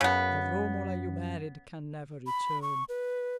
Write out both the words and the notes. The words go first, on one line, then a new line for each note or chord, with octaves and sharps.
The Romola you married can never return.
F#2 C#3 B3
B5
C#6
B4